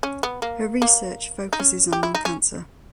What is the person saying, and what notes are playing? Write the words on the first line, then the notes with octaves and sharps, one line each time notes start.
Her research focuses on lung cancer.
C#4
B3
A#3
A#3
D#4
C#4
G4
E4
D#4
C#4